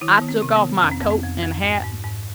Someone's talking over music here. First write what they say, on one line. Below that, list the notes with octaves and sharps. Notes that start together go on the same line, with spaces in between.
I took off my coat and hat.
D#3 E4
D#3 B3
C4
C3
B3
D#3
F2 C#4
C4
F2 B3
C4
F2
F2
G#2
G#2
G#2